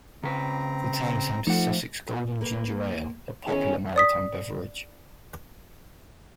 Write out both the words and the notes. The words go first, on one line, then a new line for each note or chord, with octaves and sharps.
The town is home to Sussex Golden Ginger Ale, a popular maritime beverage.
C#3 C4 B4 A#5
F3 A3 D#4 F#5
A#3 A#4 B4
D#3 B3 C#4 E4 G#4
D5 D#6 B6